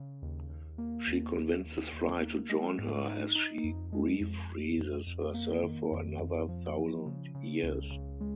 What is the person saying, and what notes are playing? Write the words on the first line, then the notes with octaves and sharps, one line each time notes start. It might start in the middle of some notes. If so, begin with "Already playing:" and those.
She convinces Fry to join her as she re-freezes herself for another thousand years.
Already playing: C#3
D#2
D#2
A#3
D#2
D#2
D#2
D#2
A#3
G#3
G#2
D#4
D#4
F2
G#3
F2
F2
F2
F2
A#3
D#3
F2
F2
F3
F3
C#3
C#3
C#2
C#3
G#3